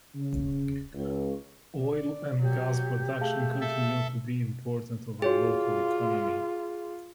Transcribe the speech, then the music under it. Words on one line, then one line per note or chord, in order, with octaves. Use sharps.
Oil and gas production continue to be important to the local economy.
C#3
C#2
D5
F#3 G4
A3 G#4 F5 A5
A4 E5
F4 F#4 G#4 C#5 G5